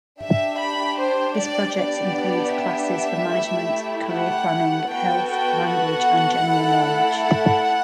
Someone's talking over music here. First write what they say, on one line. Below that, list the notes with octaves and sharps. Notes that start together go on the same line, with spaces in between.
This project includes classes for management, career planning, health, language, and general knowledge.
D4 G4 E5
B5
C5
D5
B3 D4 G4 D5
E5
A3 E4 G4
F#5
B3 F#4 A4 G5
G5
F#5
A3 E4 A4
F#5